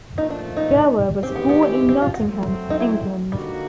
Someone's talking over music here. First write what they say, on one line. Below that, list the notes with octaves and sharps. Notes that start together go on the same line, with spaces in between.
Gower was born in Nottingham, England.
A#2 F3 A3 D#4
D4
D#4
D#3 G#3 C4 C#4 E4 G4
B3
B3
C4
C4
C4
F4
F#4
F#3 A3 C4
D#4
E4
D3 F3 G3 A#3 D#4 F#4